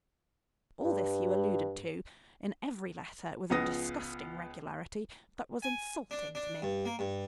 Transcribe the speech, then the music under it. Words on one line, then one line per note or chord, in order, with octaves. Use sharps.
All this you alluded to in every letter with a disgusting regularity that was insulting to me.
G2
C#2 F3 B3 D#6 A#6
G#5
D4
D4
G2
A#3
G2